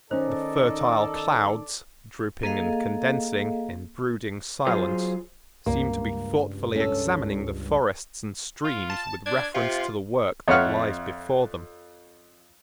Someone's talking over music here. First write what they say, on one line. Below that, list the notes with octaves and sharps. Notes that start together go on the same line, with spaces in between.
The fertile clouds, drooping and condensing in brooding silence, seem to be thoughtfully examining the forests and streams with reference to the work that lies before them.
D#3 C#4 D#4 A4 C5 D5
A#3 G#4 A4 D#5 F5
F#3 F4 G#4 C5
C#2 G2 A#3
C#4 A4
F4
A5
D4 G#6
C3 F4
F2 C#5 E5 F#5 F6 F#6